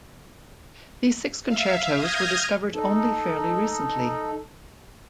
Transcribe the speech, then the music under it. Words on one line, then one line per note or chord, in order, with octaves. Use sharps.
These six concertos were discovered only fairly recently.
E5 F5
D#6 F6 G6 G#6 A#6
D#4 A4